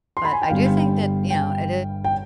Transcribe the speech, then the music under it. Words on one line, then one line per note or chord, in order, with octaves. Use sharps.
but I do think that, you know, it
C6
B5
G#5
G5
G1 G2 D3 G3 B3 F5
G5
G5
G5